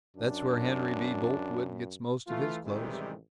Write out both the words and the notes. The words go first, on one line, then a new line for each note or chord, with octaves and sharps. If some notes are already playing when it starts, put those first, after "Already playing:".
That's where Henry B. Boltwood gets most of his clothes.
F#2 D4
E3 A3 F4
A1 C3 D#3 E3 G3 G#3